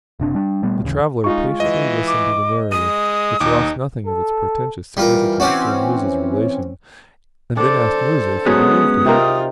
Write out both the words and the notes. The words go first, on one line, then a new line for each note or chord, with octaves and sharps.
The traveller patiently listened to the narrative, which lost nothing of its portentous significance through Musa's relation, and then asked Musa if he believed it.
F#1 C3 D4
G3 D4
A#2 G3 A3 B3
A1 D#2 C#3
G#3 D#4 F4 C#6
E3 D#5
D6
G#3 D#6 D#7
D#2 D#4 D6
A4
E3 G3 F4 A#4
C4 C#4 F#4 D5 F#5
D4 A4 C5 D5
F#3 G#3 B3 C#4 G#4 F#5 D#6
C3 D#4 F4 A#4